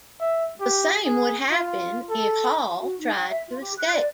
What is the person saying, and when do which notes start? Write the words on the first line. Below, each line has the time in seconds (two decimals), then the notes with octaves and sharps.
The same would happen if Hall tried to escape.
0.20 E5
0.61 G4
1.05 G#4
1.51 F4
2.10 A4
2.81 F#4
2.99 D#4
3.15 G5
3.30 E5
3.48 F4
3.61 G4
3.78 F#6
3.95 D5